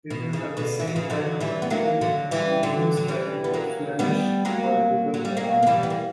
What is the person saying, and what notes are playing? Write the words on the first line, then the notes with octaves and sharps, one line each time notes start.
It is at the same time a political meeting striving for Flemish political autonomy.
B2
C#3
B2 D3
E3
F#3
C#3 E3
D3 F#3
E3 G3
B3
F#3 A#3
D3 F#3
E3 G3
D3 F#3
F#3
E3 G3
B3
F#3 A#3
G3 B3
F#3 A#3
F#3
G3
F#3 A#3
A#3
E3 G3
B3
A#3